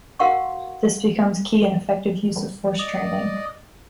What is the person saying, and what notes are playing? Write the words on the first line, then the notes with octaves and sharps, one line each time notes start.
This becomes key in effective use-of-force training.
F#4 A#4 F5 F#5 C6 C#6
D5 D#5